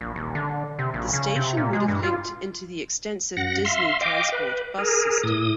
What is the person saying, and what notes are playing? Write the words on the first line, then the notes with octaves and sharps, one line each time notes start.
The station would have linked into the extensive Disney Transport bus system.
A#1
D#1
D3
C3
A#1
C#3
C3
A#2
G#3
G2
F4
F#2 F#5 A#6
E5 F5 C6
D#5 F5 G5 D6
B4
G#4 A#4
A2 D#6